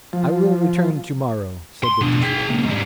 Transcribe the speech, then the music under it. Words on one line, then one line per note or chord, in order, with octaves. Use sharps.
"I will return to-morrow," said Bertuccio.
F3
C6
B2 D4
G#4 G5
A#2 C#3
G#2 G3